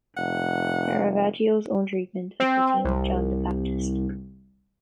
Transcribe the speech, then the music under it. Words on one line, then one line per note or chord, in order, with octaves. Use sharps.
Caravaggio's own treatment of the theme of "John the Baptist".
F1 F#5
C4
C2